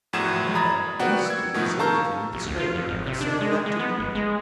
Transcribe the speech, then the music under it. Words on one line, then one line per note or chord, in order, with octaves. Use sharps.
Another basely deserted him in the Strait and sailed back to England.
A#1 E2 A2 F#4 G#6 E7
A#5 B5 D#6 G#6 A6
A#3 B3 F#4 D5 F#5 G5
E6 G#6
B2 D#3 F3 A3 B3
F5 A5 A#5 C#6 E6 G6
A#1
D2
F4
F2
G#1
C3
D4
G#3
G#3
B3
G1
G#3